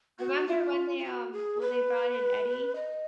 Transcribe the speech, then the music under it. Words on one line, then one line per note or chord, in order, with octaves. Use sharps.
I remember when they, um when they brought in Eddie,
F#4
F4
F4
F#4
G#4
B4
D#5